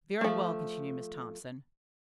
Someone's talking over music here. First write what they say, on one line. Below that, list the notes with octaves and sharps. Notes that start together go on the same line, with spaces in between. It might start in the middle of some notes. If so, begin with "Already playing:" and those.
"Very well," continued Miss Thompson.
F3 A3